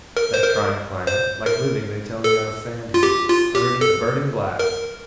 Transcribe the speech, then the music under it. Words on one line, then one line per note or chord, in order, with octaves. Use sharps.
'That trying climate!--like living, they tell me, on a sand-heap, underneath a burning-glass!
A#4
C5
A#4
C5
A#4
A4
F4
G4
F4
G4
A4
A#4